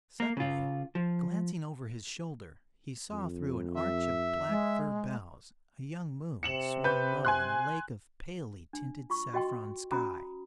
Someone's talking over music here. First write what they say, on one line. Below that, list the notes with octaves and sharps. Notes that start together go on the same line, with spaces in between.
Suddenly, glancing over his shoulder, he saw through an arch of black fir boughs a young moon swung low in a lake of palely tinted saffron sky.
A#3 A#4
C#3 F4
F3
F2
E5
G#3
C3 C#7 E7 F#7
B4 G6
G#5 C6 F#6
D4
F4 C#6
F#4 D#5 G5 C6
C#4 F#4 A#5 B5 D#6